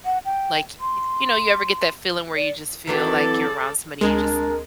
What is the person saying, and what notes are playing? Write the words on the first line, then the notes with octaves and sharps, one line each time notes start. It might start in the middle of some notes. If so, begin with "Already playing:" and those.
like y you know, you ever get that feeling where you just feel like you're around somebody and you just
F#5
G5
C6
D5
E3 F#3 C4 A4 D5
D2 G#3 D4 A#4